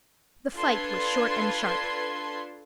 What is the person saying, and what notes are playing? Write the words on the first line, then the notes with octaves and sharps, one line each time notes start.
The fight was short and sharp.
D4 F4 A4 B4 C6 G#6